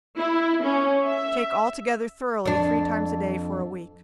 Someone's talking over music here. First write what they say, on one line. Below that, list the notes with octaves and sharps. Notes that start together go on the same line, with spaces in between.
Shake all together thoroughly three times a day for a week.
E4
C#4
E5
F2 D4